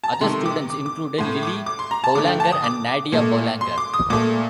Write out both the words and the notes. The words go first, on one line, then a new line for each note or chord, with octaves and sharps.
Other students included Lili Boulanger and Nadia Boulanger.
A5
A#5
C3 D#3 A3 C6
D6
D6
D6
A2 A3 C6
D6
D6
C6
A#5
A5
D3 A3 D6
G5
A5
D#6
D6
A#2 A3
C6
D6
D#6
A#2 A3 D6